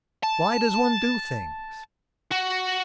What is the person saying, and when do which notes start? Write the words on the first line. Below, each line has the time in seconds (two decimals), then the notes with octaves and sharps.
Why does one do things?
0.23 A5
2.31 F#4